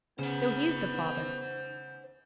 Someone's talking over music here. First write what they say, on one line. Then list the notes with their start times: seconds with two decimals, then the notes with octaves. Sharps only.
"So he is the father."
0.19 C#3 B3 C5 F#5 G6